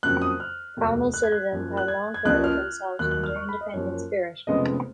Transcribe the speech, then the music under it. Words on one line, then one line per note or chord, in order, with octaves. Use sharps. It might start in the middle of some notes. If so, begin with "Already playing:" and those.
Pownal citizens have long prided themselves on their independent spirit.
F2 C#3 F#3 A#3 F#6
D#6
F6
F1 D#2 D#3 F#3
F#6
G#6
F#6
F#2 F3 A#3
F#6
G#6
G#6
C#2 C#3 F3 A#3 F#6
F6
D#2 D#3 F#3 F#6
F#6
F6
C#6
B5
D#5
F#2 F3 A#3 C#5
F1 F2 C#3 G#3 B3 D#5